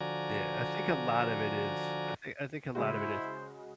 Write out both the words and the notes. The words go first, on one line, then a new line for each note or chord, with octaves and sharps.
Yeah, I think a lot of it is. I think I think a lot of it is.
D3 F3 F#4 D5 G#5 A#5
C#3 G#3 E4 F#4 C5